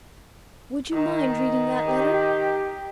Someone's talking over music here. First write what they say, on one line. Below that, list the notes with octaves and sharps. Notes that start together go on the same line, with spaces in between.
Would you mind reading that letter?
D#3
G4